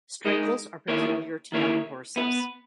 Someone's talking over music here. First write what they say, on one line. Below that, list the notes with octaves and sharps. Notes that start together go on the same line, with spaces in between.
Strangles are peculiar to young horses.
G#3 D#4 A#4 D#5
D#3 A#3 E4 A#4 C#5
D#3 A#3 E4 A#4 C#5
B3 E4 B4